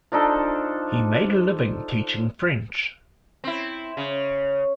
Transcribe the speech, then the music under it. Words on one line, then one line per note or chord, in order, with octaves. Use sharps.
He made a living teaching French.
F3 D4 D#4 A4
C4 E4
C#3